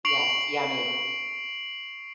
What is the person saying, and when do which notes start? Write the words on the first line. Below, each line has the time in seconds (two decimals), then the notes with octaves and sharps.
Yes, yummy.
0.05 C#6 C7 D7 F7 F#7